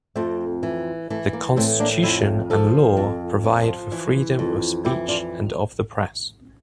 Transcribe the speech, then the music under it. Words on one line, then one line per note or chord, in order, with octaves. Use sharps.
The constitution and law provide for freedom of speech and of the press.
F2 A3 C4
E3
E3 A3
A#3
A2 A3 C4
A#3 D4
F2 C4 E4
F3 F4 A4
F2
F3
E3
F2
E3 E4 G4
D4 F4